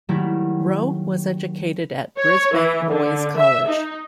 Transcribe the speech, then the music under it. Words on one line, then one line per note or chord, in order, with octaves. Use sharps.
Roe was educated at Brisbane Boys' College.
D#3 F#3 G3 A3 A#3 E4
C#5
E3
D3
E5
D#4